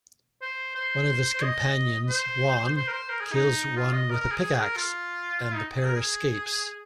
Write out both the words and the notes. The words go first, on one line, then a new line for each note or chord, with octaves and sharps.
One of his companions, Juan, kills one with a pickax, and the pair escapes.
C5
C5
C5
D#5
C5
C5
A#4
C5
A#4
G#4
D#4
F4
D#5
A#4
A#4
G#4
G#4
A#4
F4
F4
D#4
G#4
A#4
G#4